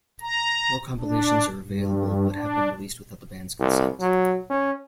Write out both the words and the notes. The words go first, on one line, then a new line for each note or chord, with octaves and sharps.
More compilations are available but have been released without the band's consent.
A#5
D4
G2
D4
C2
F#3
C#4